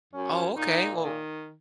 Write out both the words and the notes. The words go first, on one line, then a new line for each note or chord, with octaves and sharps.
Oh, okay. Well
F#2 C#4
A#2 D#4
D#3